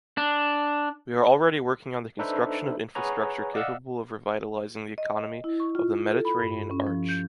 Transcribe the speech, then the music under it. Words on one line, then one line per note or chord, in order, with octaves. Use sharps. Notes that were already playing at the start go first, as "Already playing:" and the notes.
We are already working on the construction of infrastructure capable of revitalizing the economy of the Mediterranean Arch.
D4
D4 D#4 A4 B4 C5 E5
G#4 B4 C#5 F#5 G#5 A#5
D5 D#5 F5 F#5 E6
D#5
E4
C#6
F4
A4
B5
G2
C#4
F3
G6